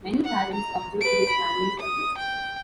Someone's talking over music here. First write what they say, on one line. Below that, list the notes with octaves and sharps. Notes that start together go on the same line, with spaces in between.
Many parents object to this annual shuffle.
F#5
A#5
B4 D7
B5
D#6
G5